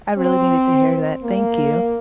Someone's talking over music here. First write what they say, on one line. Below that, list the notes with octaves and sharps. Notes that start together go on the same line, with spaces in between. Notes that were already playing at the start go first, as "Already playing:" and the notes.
I really needed to hear that. Thank you.
C4
A#3